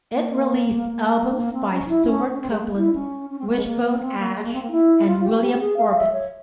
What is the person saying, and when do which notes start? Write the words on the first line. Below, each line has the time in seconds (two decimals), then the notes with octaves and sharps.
It released albums by Stewart Copeland, Wishbone Ash, and William Orbit.
0.12 A#3
1.18 A#3
1.35 A#3
1.53 C4
1.71 C#4
1.88 E4
2.06 C#4
2.33 C#4
2.41 C4
2.49 G#3
2.58 A#3
2.76 E4
2.93 C#4
3.29 C#4
3.38 C4
3.47 A#3
3.56 G#3
3.65 A#3
3.82 A#3
4.00 C4
4.18 A#3
4.35 G#3
4.44 A#3
4.53 C4
4.62 A#3
4.71 E4
5.06 F4
5.23 G4
5.41 G4
5.53 G4
5.59 G#4
5.76 F5
5.95 E5
6.12 C#5